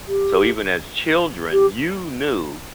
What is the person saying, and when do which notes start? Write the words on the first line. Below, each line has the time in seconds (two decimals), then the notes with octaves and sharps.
so even as children, you knew
0.08 G4
1.52 G4